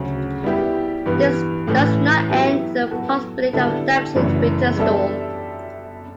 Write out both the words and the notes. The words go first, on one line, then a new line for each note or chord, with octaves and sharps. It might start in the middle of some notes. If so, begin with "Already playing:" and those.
This does not end the possibility of a damaging winter storm.
Already playing: D2 C#3 F#3 C#4
G3 B3 E4 G4
G2 E3 B3
A2 E3 A3 C#4
F#3 B3 E4 G4
F#3 B3 F#4 A4
D3 G3 B3 E4 A4
F#2 C#3 E3 A3 D4
G3 B3 D4 A4 E5